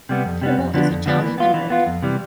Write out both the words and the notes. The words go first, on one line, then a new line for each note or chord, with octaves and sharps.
Adamo is Italian American.
C3 G3 B3
F2
C3 G3 B3
F2
D3 F3 B3 D4
F2
D3 F3 B3 D4
E3
B3 F4
E3
B3 F4
F2
C3 E3 G3